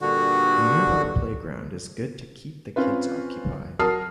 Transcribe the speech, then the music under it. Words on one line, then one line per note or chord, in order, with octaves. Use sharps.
The nearby playground is good to keep the kids occupied.
G2 A#2 D3 F#4
C4 C#4 F4 B4
F#3 A#4 A5 D#6 F6 C7